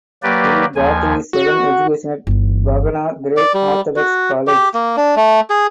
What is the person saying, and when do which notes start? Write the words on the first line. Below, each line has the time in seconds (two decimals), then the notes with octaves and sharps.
He got his second education at Phanar Greek Orthodox College.
0.23 F#3 A#3 G4 B4 D5
0.75 D#2 F3 G#5
1.33 F#4
2.27 G1 E3
3.37 D5
3.54 G3
3.96 F#4
4.47 G4
4.74 A#3
4.97 D4
5.16 A3
5.50 G#4